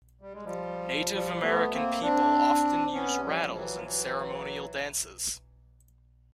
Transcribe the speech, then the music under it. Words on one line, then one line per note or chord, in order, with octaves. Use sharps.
Native American people often use rattles in ceremonial dances.
G3
G#3
F3 G3
F3 G3
A3 B3
A#3 C4
C4 D4
B3 C#4
F3 G3
E3 F#3
F3
E3 F#3